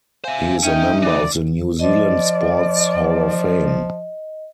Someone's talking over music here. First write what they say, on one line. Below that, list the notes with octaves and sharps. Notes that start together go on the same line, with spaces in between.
He is a member of the New Zealand Sports Hall of Fame.
C5 E5 F5 G#5
C#4 D#4 E5 G5
E3 D5
F3 D5 D#5